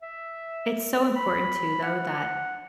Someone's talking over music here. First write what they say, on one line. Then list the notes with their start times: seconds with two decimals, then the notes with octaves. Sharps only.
it's so important too, though, that
0.02 E5
1.16 B5
1.83 F#5